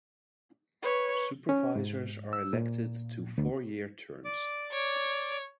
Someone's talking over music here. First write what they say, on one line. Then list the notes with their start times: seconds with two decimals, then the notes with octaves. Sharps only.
Supervisors are elected to four-year terms.
0.83 B4 C#5
1.49 C#4
1.76 G#2
2.33 E6
2.53 A#2
3.38 D2
4.25 D5 D6
4.72 C#5